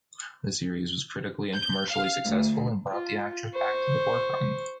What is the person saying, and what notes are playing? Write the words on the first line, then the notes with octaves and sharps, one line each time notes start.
The series was critically and commercially successful and brought the actress back to the forefront.
G6
F5
D2
F4
C5 C#6